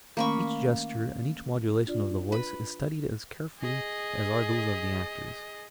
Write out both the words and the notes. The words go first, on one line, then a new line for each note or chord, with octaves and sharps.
Each gesture, and each modulation of the voice, is studied as carefully as are those of the actors.
D#3 A3 A#3 C#4 B5 C#6
D4 F4 D5
B4 B5
G#4 D#5